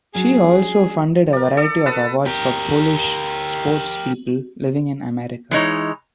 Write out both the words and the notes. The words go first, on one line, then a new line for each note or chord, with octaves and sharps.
She also funded a variety of awards for Polish sports people living in America.
F#3 C#4 D4 G#4
A#4 D5
A4 D5
B4 F#5 A5 D#6
G4 A#4
E3 G#3 D#4 C#5